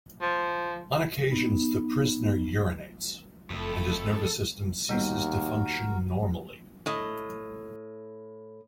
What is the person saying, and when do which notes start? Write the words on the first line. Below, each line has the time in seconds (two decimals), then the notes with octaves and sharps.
On occasions the prisoner urinates, and his nervous system ceases to function normally'.
0.21 F3
1.30 B3 D#4
3.50 F#1 F2 A3 E4 A4
4.89 D#2 G3 B3 F#4 A#4
6.86 A2 D#5